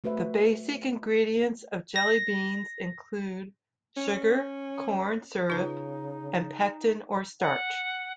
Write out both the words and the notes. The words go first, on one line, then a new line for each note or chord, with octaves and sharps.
The basic ingredients of jelly beans include sugar, corn syrup, and pectin or starch.
A3 F#4 B4 C5 E5
A#6
C#4
C#3 D#4 F4 B4
F#5